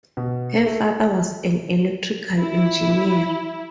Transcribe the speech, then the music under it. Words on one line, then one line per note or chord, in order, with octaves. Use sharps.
Her father was an electrical Engineer.
B2
A3
E4